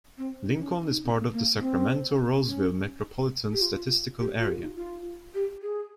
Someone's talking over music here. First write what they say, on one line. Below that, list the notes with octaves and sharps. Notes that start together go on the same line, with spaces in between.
Lincoln is part of the Sacramento-Roseville Metropolitan Statistical Area.
C4
D#4
C4
C#4
D#4
C4
A#3
A#3
C4
C#4
G4
F4
G4
F4
G4
D#4
F4
G4
G#4